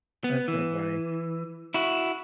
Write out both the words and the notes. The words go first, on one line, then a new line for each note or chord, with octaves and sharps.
that's so funny.
B3
E3
E4 F#4